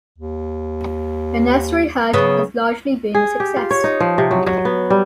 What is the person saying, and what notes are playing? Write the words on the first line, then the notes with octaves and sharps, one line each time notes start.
The nursery herd has largely been a success.
D#2
C#3 F#3 B3
G#4
G4
F4
C#5
D#4
F3
C3
F#3
F#3
B3
G3